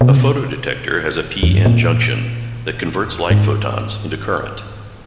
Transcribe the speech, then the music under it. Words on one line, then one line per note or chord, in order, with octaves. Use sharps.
A photo detector has a p-n junction that converts light photons into current.
B2
C#3
B2
E2
F#2
G#2
A#2
E2
F#2
G#2